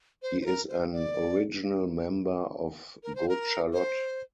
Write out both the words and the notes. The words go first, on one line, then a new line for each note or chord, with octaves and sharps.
He is an original member of Good Charlotte.
C5
C5
A#4
C5
D5
A#4
C5
A#4
C5